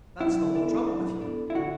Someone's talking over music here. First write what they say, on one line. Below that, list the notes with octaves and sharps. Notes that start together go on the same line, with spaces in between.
That's the whole trouble with you!
F#3 E4
B3 D4 A4 D5
F#3
B3 D4 A4 D5
E4
D3 F#4